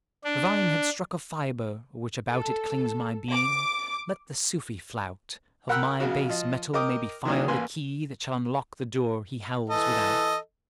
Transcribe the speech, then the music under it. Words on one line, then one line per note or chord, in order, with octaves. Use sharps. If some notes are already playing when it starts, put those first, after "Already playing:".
The Vine had struck a Fibre; which about It clings my Being--let the Sufi flout; Of my Base Metal may be filed a Key, That shall unlock the Door he howls without.
D4
A4
D6
A#4 F#5 G5 B5 E6 F#6
A#1 C#3 F#4
F3 D#5
A#4 D#5 G5 D6 D#6
D#3 E3 F#3 A#3 C#4 D4
A1 A#3 B4 G#5 C6
E3 A4 D#5